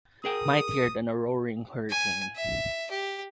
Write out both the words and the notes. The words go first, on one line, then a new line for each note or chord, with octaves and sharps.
Mightier than a roaring hurricane!
G#4 A#4 G5 D#6
G#5
E5
G4